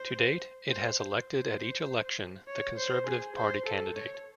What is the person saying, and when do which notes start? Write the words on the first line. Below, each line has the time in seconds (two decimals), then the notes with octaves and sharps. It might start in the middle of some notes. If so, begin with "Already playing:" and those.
To date it has elected at each election the Conservative Party candidate.
Already playing: C5
0.70 C5
0.99 C5
1.28 C5
2.48 C#5
2.77 C5
3.07 G#4
3.36 C5
3.65 A4
3.95 C#5